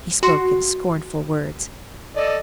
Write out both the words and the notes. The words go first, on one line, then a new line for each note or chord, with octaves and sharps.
He spoke in scornful words.
F#4 C6
A4 D5 D#5